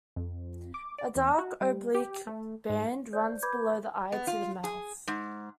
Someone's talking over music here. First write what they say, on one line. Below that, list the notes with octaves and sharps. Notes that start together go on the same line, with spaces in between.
A dark oblique band runs below the eye to the mouth.
F2
D6
D5
E2
F#4
G3
G4
A3
G#2
C5 D5 G6
B4 B5 D6 G6 G#6
B3
F4
G#4
G#2